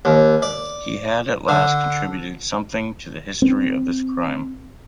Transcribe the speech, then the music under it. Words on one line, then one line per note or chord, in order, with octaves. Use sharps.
He had at last contributed something to the history of this crime.
D#2
D5
D3
C4